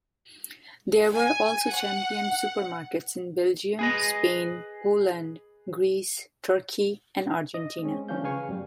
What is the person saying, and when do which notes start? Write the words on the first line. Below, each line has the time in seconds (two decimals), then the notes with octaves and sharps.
There were also Champion supermarkets in Belgium, Spain, Poland, Greece, Turkey and Argentina.
1.13 G#5
1.71 F#5
3.79 G#4 B4 D#5
7.54 D#5
7.83 G#3 C4 C#4
8.09 E3 F3 C#4 D4 F5 G6
8.23 C#3 B4 F5 G#5 C#6
8.49 F#2 G3